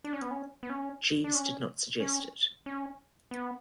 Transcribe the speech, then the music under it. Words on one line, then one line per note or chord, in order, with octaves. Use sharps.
Jeeves did not suggest it.
D4
C#4
B3
C#4
B3
C#4
D4
C#4
C#4
C#4
B3